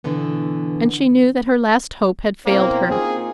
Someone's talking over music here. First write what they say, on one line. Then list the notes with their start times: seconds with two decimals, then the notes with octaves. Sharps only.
And she knew that her last hope had failed her.
0.04 B2 D3 E3 B3
2.46 B2 A#3 C4 C#4 E4
2.90 A#3 D#4 F4 G#4